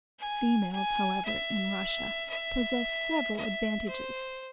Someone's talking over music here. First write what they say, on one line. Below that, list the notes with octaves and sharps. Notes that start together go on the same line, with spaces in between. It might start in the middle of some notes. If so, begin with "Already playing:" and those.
Females, however, in Russia, possess several advantages.
G#5
G#5
E5
E5
E5
C5